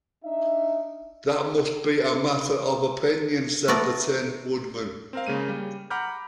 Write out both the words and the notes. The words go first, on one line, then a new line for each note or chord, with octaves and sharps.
"That must be a matter of opinion," said the Tin Woodman.
D4 D#4 E5
A3 B3 D5 A#5
C4 A#4 F5
C#3 G#3 A#3 D#7
G3
F#5 A#5 B5 D6 F6 G6